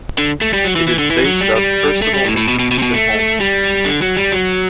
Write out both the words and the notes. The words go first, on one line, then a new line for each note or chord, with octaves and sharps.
It is based on personal interviews at home.
D3
A3
G3
F#3
E3
E3
D3
E3
F#3
G3
G3
A3
G3
A2
A2
B2
B2
B2
C3
B2
A3
G3
D3
F#3
G3
F#3